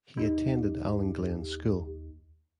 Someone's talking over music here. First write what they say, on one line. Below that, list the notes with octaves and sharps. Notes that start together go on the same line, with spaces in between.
He attended Allan Glen's School.
D#2 D#4 G4